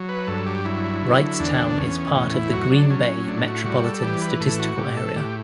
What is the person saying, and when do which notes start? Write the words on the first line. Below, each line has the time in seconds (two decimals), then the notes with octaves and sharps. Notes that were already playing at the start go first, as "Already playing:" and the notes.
Wrightstown is part of the Green Bay Metropolitan Statistical Area.
Already playing: F#3
0.09 B4
0.27 G2 A4
0.46 G4
0.65 F#3 E4
1.02 D3
1.40 E2 D4
1.78 E2 C#4
2.15 A2 C#4
2.34 E4
2.53 F#3 F#4
2.71 D4
2.90 F#3 C#4
3.09 C#4
3.27 A2 D4
3.47 F#4
3.65 G3 F#4
3.84 A4
4.03 E3 G4
4.22 B4
4.40 A2 A4
4.59 F#4
4.78 A2 G4
4.97 A4
5.16 A2 G4